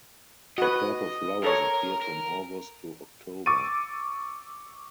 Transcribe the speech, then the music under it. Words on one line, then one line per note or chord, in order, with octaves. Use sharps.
The purple flowers appear from August to October.
F#4 B4 D#5
A4 A#4 C#5
A#4
C#6 D6 E6 A6 D7 D#7